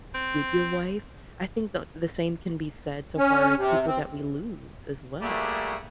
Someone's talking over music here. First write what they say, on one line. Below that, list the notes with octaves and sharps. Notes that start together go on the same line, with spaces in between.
with your wife. I think the the same can be said so far as people that we lose as well.
C4
C#4
C3
C4
G3 A3 A#3 E4 F#4 G#4